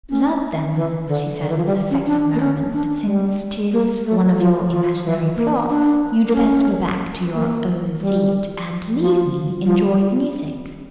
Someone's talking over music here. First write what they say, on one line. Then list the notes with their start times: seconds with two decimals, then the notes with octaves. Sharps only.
"Lud, then," she said with affected merriment, "since 'tis one of your imaginary plots, you'd best go back to your own seat and leave me enjoy the music."
0.09 C#4
0.75 E3
1.08 D3
1.41 D3
1.49 E3
1.57 F3
1.66 G3
1.91 C#4
2.07 D4
2.34 A#3
2.40 C#4
2.73 D4
3.06 G3
3.72 A#3
4.05 A3
4.38 F3
4.71 F3
5.04 E3
5.36 A#3
5.70 D4
6.27 A#3
6.35 C#4
7.35 A#3
8.01 G3
8.99 F3
9.65 F3